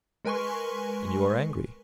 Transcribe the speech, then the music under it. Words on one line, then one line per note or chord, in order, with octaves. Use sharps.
And you are angry!
G#3 A#4 B4 G#5 C6 C#6